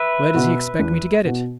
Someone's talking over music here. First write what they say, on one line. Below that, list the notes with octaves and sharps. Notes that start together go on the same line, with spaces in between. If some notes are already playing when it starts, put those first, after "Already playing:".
Where does he expect me to get it?
Already playing: B4 E5
B2 B3 F#4
E2
B2 B3 F#4